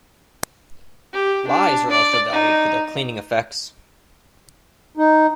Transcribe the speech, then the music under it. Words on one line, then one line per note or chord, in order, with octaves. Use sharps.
Lyes are also valued for their cleaning effects.
G4
D4
D5
D#4
D#4